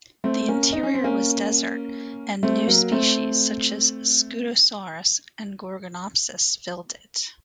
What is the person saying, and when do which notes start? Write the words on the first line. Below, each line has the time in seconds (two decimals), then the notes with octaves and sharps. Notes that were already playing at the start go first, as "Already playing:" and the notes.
The interior was desert, and new species such as Scutosaurus and Gorgonopsids filled it.
0.24 A3 C4
0.48 A#3 C#4
0.73 D#4
0.83 C#4
0.94 C4
1.04 A#3 C#4
2.43 A3 C4
2.67 F#3 A#3
2.92 A3 C4